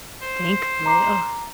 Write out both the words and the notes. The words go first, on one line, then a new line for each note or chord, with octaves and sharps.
Thankfully, ugh.
C5
A#5 D6 C7